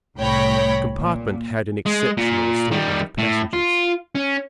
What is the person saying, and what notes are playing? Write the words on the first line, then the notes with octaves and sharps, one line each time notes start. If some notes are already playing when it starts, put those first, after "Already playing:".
The compartment had an exceptional assortment of passengers.
C2 A2 C#5 G5 B5 A#6
A#2
G#3
A#2
D#3 G3
A2
F4
C#4